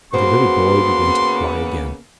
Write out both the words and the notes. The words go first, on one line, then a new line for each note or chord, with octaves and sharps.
And the little boy began to cry again.
C#3 A#3 B3 F#4 C5 C6